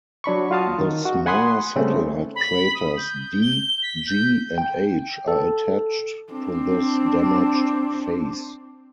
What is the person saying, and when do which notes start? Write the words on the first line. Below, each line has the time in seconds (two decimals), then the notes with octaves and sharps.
The smaller satellite craters D, G, and H are attached to this damaged face.
0.24 F#3 D4 B5 C#6
0.51 F4 F#4 F5 A5 D#6
0.78 D#3
1.06 F#4
1.26 F#5 G#5 B5 C6 D#6 F#6
1.76 C#3 G3 A3 C4 C#4
2.35 B5
2.75 D#6
2.97 G6
3.42 G7
3.83 B6
4.07 G6
4.58 G5
5.28 A4
6.33 C4 D4